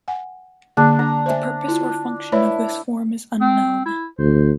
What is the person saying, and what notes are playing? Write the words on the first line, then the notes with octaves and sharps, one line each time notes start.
The purpose or function of this form is unknown.
F#5 G#5
D3 A#3 D4 G#4
D4 A#5
C5 E5 G#5
E4 F4
E4 B4 C#5 D5
C4
E4
D2 C5